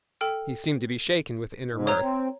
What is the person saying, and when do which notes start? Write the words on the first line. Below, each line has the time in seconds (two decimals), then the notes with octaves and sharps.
He seemed to be shaken with inner mirth.
0.21 A4 G5 F6
1.73 G#2
1.87 C#5 A#5 G#6
2.01 C4